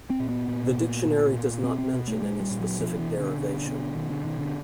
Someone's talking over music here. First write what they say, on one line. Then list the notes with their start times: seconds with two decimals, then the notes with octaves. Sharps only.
The dictionary does not mention any specific derivation.
0.10 C4
0.20 A#2
0.29 B3
0.48 A#2
0.78 A#2
1.06 A#2
1.35 A#2
1.64 B2 C4
1.78 C4
1.93 B2
2.08 A3
2.22 A#2 G#3
2.41 G3
2.51 A#2
2.60 F#3
2.80 B2 F3
2.99 E3
3.09 B2
3.19 D3
3.37 B2
3.66 B2
3.95 B2 D#3
4.10 D3
4.24 B2 D#3
4.39 D3